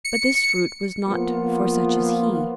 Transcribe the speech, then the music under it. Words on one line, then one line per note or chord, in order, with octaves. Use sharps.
But this fruit was not for such as he.
C#7
F3 A#3 B3 F4